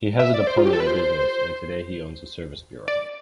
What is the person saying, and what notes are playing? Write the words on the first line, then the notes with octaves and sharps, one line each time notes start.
He has a diploma in Business, and today he owns a service bureau.
E5
D5
C5
F4
G4
A4
B4
C5
D5